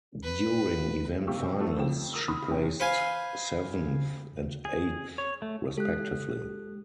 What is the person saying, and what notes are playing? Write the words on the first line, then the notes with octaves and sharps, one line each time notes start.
During event finals she placed seventh and eighth respectively.
B4
B1 C3 A#3 G4 C#6 E6
G#2 A3 E4 A4
F2 F3 A3 G5 E7
A#4 D#6 E6
B5 D#6 F6
F#2 C3 D#3 G5
B4 C5 F5 G#5
G#4
C#5
A3
G#3 G4 A4 F#6